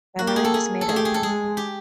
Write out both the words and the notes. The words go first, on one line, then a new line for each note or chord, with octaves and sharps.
My mind is made up.
A#3 F#4
G4
G#4
A4
G#4
A4
A3 G#4
G4
G#4
A4
G#3 G#4
G4